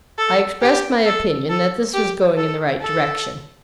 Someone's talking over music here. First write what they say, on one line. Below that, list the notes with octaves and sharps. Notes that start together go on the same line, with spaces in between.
I expressed my opinion that this was going in the right direction.
A4
G4
A4
A4
G4
A4
A4